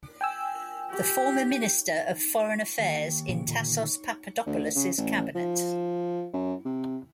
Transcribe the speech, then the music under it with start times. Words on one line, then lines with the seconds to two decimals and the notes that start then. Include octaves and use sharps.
The former minister of foreign affairs in Tassos Papadopoulos' cabinet.
0.21 G5 G#5 E6
0.91 G4
2.79 D#2
3.29 A#2 C#3 F3
3.48 A#2 D3
4.46 D2
4.75 C#3
4.97 A1
5.35 F3
6.33 F#2
6.65 C3